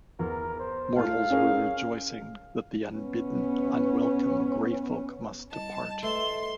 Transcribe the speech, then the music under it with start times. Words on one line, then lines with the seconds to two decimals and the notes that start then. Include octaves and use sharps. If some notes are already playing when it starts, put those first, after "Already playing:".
Mortals were rejoicing that the unbidden, unwelcome grey-folk must depart.
0.19 E2 A#4
0.59 C5
0.97 A3 F4 F5
1.30 C#4 G#4 A#4
2.95 B3 C#4
5.52 G3 E4 D#5 A5
6.03 A3 B4 D#5 C6